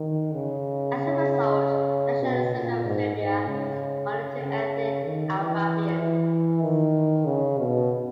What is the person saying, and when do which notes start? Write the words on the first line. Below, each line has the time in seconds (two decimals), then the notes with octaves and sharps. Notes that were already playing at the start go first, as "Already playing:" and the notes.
As a result, the National Assembly of Serbia has only two ethnic Albanians.
Already playing: D#3
0.32 C#3
0.95 C#3
2.21 B2
2.53 A#2
2.85 G#2
3.16 G#2
3.47 C#3
4.10 C#3
4.42 C#3
5.05 D#3
5.37 E3
6.00 E3
6.62 D#3
7.26 C#3
7.58 B2